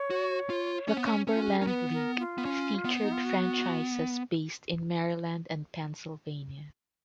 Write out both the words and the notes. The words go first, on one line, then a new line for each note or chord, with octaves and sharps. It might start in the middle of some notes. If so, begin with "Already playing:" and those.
The Cumberland League featured franchises based in Maryland and Pennsylvania.
Already playing: C#5
F#4
F4
C#4
B3
C#4
C#4
F4
F#4
G#4
C#4 A#4
B3 B4
A#4
F4
B3
C#4
B3
D#4
F4
F#4